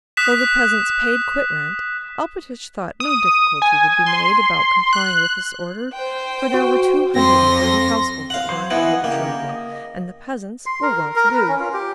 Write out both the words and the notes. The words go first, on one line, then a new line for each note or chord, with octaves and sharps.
Though the peasants paid quitrent, Alpatych thought no difficulty would be made about complying with this order, for there were two hundred and thirty households at work in Bogucharovo and the peasants were well to do.
D#6 F#6 B6 E7
D#6
G#5
C6
F#6
C5 G5
F#4
F2 C4 C6 A#6
F5 F#5
F#3 C5 C6
E3 B3 D#5 F#5 G#5
C#3 A#3 G4 A#4
D#5
C6
A#4
A#4
B4
C#4
F4
G4